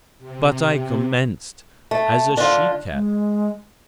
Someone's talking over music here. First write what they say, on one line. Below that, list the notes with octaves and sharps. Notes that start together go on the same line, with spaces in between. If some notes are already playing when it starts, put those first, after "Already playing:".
"But I commenced as a she-cat."
C3
A3
D3 F4
G#3